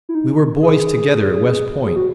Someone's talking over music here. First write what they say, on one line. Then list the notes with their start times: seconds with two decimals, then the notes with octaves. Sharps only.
We were boys together at West Point!
0.09 E4
0.15 D#4
0.62 G#4
1.86 G#4
1.96 F#4